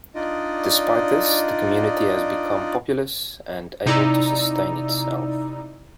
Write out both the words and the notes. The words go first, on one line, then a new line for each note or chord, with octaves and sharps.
Despite this, the community has become populous and able to sustain itself.
D4 D#4 F4 D5 D#5
C3 D#4 E4 D5 A#5 E6